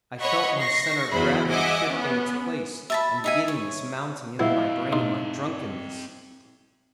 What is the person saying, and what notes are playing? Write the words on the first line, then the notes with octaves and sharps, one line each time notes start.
I felt my centre of gravity shifting its place, and giddiness mounting into my brain like drunkenness.
C#5 D#5 F#5 B5 C#6
C#6 A#6 C7
E2 F#3 E4 G#4 C5 B5
D#5 E5 F#5 G#5 D6
B3 C#4
E5 A5 B5
D#4 E5 G#5
C#5
A#1 B3 C4 E4 D#5 F5
B2 D#4 C6